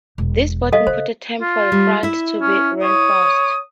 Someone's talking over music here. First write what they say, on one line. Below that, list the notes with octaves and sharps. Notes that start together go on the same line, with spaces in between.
This bought important time for the front to be reinforced.
E1 B2
G3 A4 D#5 F5
C#3 C5
F4
G3
E4 E5
C#4
C#5 D#6